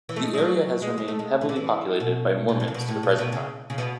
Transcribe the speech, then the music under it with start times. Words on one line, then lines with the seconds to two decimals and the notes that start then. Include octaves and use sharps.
The area has remained heavily populated by Mormons to the present time.
0.09 E3
0.16 A3
0.23 G#3
0.33 G#3
0.38 F#3
0.82 G#3
0.98 G#3
1.08 A3
1.19 G#3
1.41 E3
1.49 D3
1.56 E3
2.00 B2
2.49 B2
2.60 A2
2.68 C#3
2.74 B2
2.88 A2
3.03 B2
3.18 B2
3.33 C#3
3.70 C#3
3.78 B2